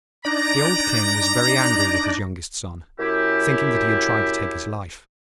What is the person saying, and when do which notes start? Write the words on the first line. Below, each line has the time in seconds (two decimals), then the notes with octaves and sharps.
The old King was very angry with his youngest son, thinking that he had tried to take his life.
0.25 D4 D#4 D5 A#5
2.99 F#2 E4 G4